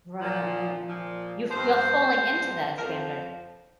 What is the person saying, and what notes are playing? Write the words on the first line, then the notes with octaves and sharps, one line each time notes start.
Right, right, right. You're you're falling into that standard.
A#2 F3
A#2 F3
G2 F3 C5
G2 F3
F2 F3 A#4
C5